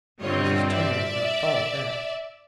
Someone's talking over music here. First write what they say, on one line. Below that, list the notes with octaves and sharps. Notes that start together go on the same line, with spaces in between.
Mrs. Toomey had not thought of that.
G2 D3 G3 C4 F4 C#5 D#5
D5 E5